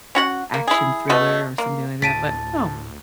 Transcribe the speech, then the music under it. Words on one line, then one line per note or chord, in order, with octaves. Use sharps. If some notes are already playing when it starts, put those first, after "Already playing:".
action thriller or something like that. But, oh.
C#4 F#4 F#5
A#3
E4 G#4
B2 A3 F#4 D#5
A#3
D2 A2 A5 A6 B6 D7 D#7